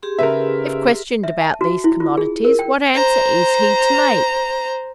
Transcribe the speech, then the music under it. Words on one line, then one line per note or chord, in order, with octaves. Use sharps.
If questioned about these commodities, what answer is he to make?
G4 G#4 C6
C#3 D#4 A#4 B4 E5
E5
A5
F#4
E4
F4
G#4
A#4
G5
C5 A#5